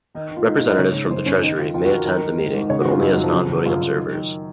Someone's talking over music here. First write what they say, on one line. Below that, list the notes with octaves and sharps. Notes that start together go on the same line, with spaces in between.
Representatives from the Treasury may attend the meeting, but only as non-voting observers.
D#3 D#4
D#3
F4
G#2 D#4
F4
G#2
D#5
C#3 C#5
C#3
F#2 C5
F#2 C#4
D#3 D#4
D#3 F4
F2 F4
F#4
F2
A#4
D#3 A#4
D#3
G#2
G#2
C#3 C#5
F#4
C#3
F4
F#2 G#3
F#3
F#2
F3
C#3 F#3
F3
C#3
F#3
F#2 F4
F#2
D#3
D#3